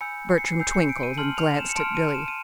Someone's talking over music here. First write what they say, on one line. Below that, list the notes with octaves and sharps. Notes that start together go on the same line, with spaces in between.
Bertram twinkled and glanced at Billy.
G#5 B5 E6 G6 C#7
C7
C#7
C7
G#5 B5 E6 G6 C7
C#7
D7
D#7
A5 C6 F6 F#7
F7
E7
C#7
A5 C6 F6 D7
D#7
E7
D#7